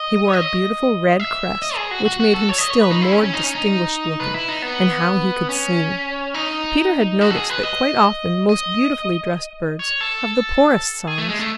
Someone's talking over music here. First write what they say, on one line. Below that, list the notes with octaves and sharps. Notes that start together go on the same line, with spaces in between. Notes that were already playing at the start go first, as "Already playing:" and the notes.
He wore a beautiful red crest which made him still more distinguished looking, and how he could sing! Peter had noticed that quite often the most beautifully dressed birds have the poorest songs.
Already playing: D#5
C#5
D#5
E5
D#5
G#4
F#4
F#4
F#4
A4
C#5
D#5
C#5
B4
D#4
E4
C#4
C#4
D#4
C#4
D#4
B4
E4
D#4
B3
C#4
D#4
F#4
A4
G#4
B4
D#5
D#5
C#5
A4
G#4
A3
G#3
A3